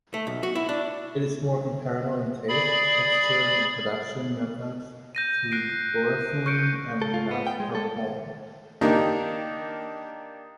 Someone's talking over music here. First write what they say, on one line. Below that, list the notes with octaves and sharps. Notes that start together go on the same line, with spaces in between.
It is more comparable in taste, texture, and production methods to Boursin and Mascarpone.
A3
B1
F#4
E4
D4
G#4 D5 B5
G6 A#6 D#7
F#6 A#6 C7 D7
C#6 F6 G6 C#7 D7
A4
F4
B3
G5
G#3
A4
D#3 A#3 D4 D#4 G4 A#4